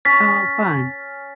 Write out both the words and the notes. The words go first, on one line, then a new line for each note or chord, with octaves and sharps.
Oh, fun.
C#4 A6 B6